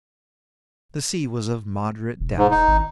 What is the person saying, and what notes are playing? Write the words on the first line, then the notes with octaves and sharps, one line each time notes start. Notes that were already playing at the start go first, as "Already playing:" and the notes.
The sea was of moderate depth.
E1
G#2
D#4
G#1